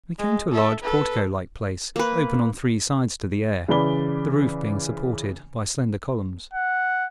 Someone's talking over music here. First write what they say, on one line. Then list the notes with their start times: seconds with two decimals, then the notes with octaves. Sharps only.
We came to a large portico-like place open on three sides to the air, the roof being supported by slender columns.
0.18 G#3
0.52 A4 E5
0.82 A4 B4
1.96 A#3 B4
3.68 C#3 E3 D5 B5 G7
6.53 F#5